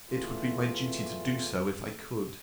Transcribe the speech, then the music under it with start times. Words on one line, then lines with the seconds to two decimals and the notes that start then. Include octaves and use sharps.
It would be my duty to do so, if I could.
0.09 E2 E3 A3 F4